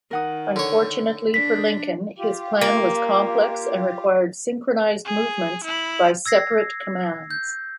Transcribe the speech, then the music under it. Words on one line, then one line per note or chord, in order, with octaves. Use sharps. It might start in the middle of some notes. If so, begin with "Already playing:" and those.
Unfortunately for Lincoln, his plan was complex and required synchronized movements by separate commands.
D#3 A#4 F#5 D#6
D3 C#5
D4 B6
F4 G4
A#3
G#4
E4 B5
E6 G#6 A#6 C7
G6